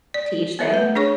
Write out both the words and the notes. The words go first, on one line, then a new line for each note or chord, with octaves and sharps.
to each thing?
D5
B3 A4 C5 E5
A3 B4
D4 G#4 C#5 C#6